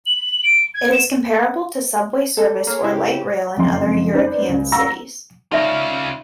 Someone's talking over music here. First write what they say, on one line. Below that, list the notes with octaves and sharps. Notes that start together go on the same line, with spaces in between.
It is comparable to subway service or light rail in other European cities.
F#7
D7
G#6
E7
A4
A#3 G#4 C#5
C#3 E4 G4
F#1 F2 D#5 C6
C#4 D#4 B4 C5 D5
C#2
F5 F#5 A#5 C#6 E6 A#6
C#3 D#4 F4 D5 E5